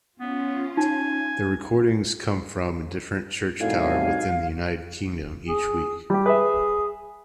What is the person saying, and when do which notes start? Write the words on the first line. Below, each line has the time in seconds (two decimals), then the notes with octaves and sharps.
The recordings come from a different church tower within the United Kingdom each week.
0.20 B3 C#4 F4
0.77 D#4 G#5
3.60 C2 F2 A2 D#4 F#4 F5 G#5
5.49 G#4
6.10 G3 G4
6.26 G#4 B4 E5